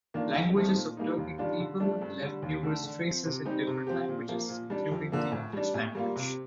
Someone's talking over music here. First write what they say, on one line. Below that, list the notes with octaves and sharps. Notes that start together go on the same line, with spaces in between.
Languages of Turkic peoples left numerous traces in different languages, including the English language.
D#3 A#3 D4 F4
F2
D#3 A3 C4 D#4
A#2
G3 A#3 D#4
D#2
D#3 G3 D4 F4
D3
F3 A3 D4
G2
D3 G3
D#2
D3 A3
D3
F3 C4
C3
G3 C4 D#4 G4
C3
F3 C4 G4
A#2
F3 A#3
A#2
G3 D4
F2
D3 F3 A#3
A2
G3 D4
A2
G3 A#3 F4
C3